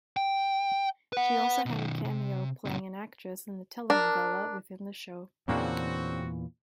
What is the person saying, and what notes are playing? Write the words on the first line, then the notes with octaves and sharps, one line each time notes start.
She also had a cameo playing an actress in the telenovela within the show.
G5
B4 F#5
B2 D#3
C3
C#2 F#2
D4 A#4
E2 A#2 C#3 E3 A#3 C4 D4 F#4